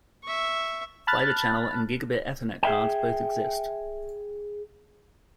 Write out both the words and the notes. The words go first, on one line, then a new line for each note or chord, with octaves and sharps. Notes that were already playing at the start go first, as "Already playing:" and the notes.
Fibre channel and Gigabit Ethernet cards both exist.
E5 C#6
A5 B5 F6 F#6 A6
G#4 E5 G5